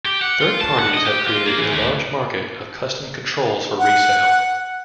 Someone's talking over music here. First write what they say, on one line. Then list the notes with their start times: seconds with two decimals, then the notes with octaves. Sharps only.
Third parties have created a large market of custom controls for resale.
0.06 G4
0.21 F#5
0.40 F4
0.61 A5
0.79 F#5
0.94 D#5
1.05 G4
1.28 F4
1.46 A#3
1.58 E3
1.72 D2
3.79 F#5